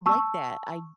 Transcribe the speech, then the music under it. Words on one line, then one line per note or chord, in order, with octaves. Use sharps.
like that. I
A5 C#6 E6